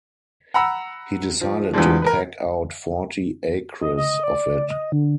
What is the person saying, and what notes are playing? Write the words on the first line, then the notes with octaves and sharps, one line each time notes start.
He decided to peg out forty acres of it.
F#5 A#5 B5 E6
F3
E2 E3 F3 G3 G#3 D4
A#4 B4
D#5
D#5
D5
D#5
D3